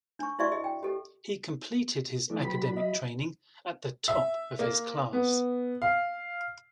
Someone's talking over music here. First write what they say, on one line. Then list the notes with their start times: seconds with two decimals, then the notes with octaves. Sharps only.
He completed his academic training at the top of his class.
0.19 D4 C#6
0.39 E4 F#4 D5 E5 C#6
0.52 G#4 D#5
0.64 G5
0.83 G4 A4
2.30 E3 A3 D4 A4 D#5
2.44 F#3 G4 B4 C5 B5
2.63 D4
2.76 D#5 E5
4.08 E5
4.59 A#3
5.13 B3
5.82 F5